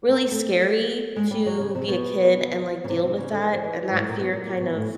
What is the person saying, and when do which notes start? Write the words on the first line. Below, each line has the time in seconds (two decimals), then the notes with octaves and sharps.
really scary to be a kid and, like, deal with that, and that fear kind of
0.09 A#3
0.31 A3
1.16 G#3
1.31 G3
1.46 F#3
1.60 C#3
1.75 C3
1.88 B2
2.84 C#3
2.89 C3
3.03 C3
3.18 C#3
3.32 D3
3.43 E3
3.53 F3
3.64 E3
3.89 G#2
3.98 A2
4.08 A#2
4.18 B2
4.33 A#2
4.46 A#2
4.60 B2
4.76 A2